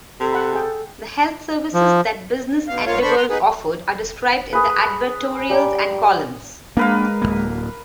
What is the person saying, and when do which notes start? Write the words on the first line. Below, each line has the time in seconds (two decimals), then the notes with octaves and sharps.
The health services that business endeavors offered are described in the advertorials and columns.
0.20 C3 A4
0.32 F#5 B5
0.53 G#4 G5
1.74 F3
2.68 B2 F5
2.86 G#2 A#3 F4 C#5 F5
3.02 D3 D4 C5 B5 C#6
3.17 A#5 C6
3.30 B3 D#4 G#4 B4
4.53 G#4 B4
5.50 G3 G5 A#5
6.77 G#3 A#3 D4 A#4 B4 F5
7.22 D1 D#2 A#3